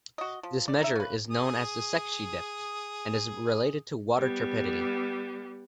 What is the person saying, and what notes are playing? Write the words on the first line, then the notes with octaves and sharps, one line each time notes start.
This measure is known as the Secchi depth and is related to water turbidity.
F#4 D#5
F3
D5
D#4 E5
C#3 B4
G#4 D#6
G3 B3